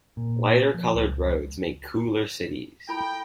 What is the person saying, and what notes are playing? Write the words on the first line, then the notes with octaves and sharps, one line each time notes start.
Lighter coloured roads make cooler cities.
A#2
F3
C#2
E4 A4 G5 B5